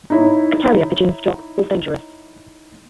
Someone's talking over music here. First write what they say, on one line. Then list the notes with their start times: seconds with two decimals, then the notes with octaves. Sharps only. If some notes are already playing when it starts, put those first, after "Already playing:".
A carrier pigeon's job was dangerous.
0.10 D#4 E4 C#5